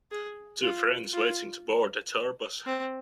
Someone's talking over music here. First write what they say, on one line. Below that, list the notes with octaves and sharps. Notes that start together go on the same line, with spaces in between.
Two friends waiting to board the tour bus.
G#4
F4
F4
C4